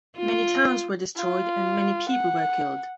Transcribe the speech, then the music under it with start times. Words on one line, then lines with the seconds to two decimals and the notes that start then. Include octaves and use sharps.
Many towns were destroyed and many people were killed.
0.18 F4
1.16 F4
2.10 F#5